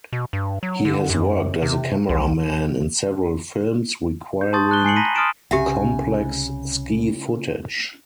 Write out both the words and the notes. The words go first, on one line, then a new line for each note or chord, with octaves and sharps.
He has worked as a cameraman in several films requiring complex ski footage.
B2
G2
F#3
D3
F#2
C3
C2
G6
A5 C6 C#6 D#6 G6 A6
A5 F#6 G7
G#5 C7 C#7 F#7
A#5 B5 A#6 B6 D#7
C6 D#6 F6 A6 D7 E7
C2 C#3 G4 E5 F#5 G#5